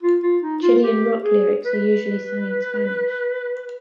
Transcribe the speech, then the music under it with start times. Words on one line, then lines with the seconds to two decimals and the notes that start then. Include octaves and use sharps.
Chilean rock lyrics are usually sung in Spanish.
0.03 F4
0.23 F4
0.42 D#4
0.63 F4
0.83 G4
1.24 G#4
1.65 B4